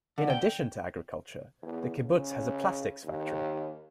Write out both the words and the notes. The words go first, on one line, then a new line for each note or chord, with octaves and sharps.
In addition to agriculture, the kibbutz has a plastics factory.
D3
G5
E2
C#3
D#2